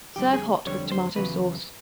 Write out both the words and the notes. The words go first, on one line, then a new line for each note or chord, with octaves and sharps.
Serve hot with tomato-sauce.
F2 D3 G3 C4 G4
G#4
F2 D3 G3 C4 C#5
C5
E2 C#3 F#3 B4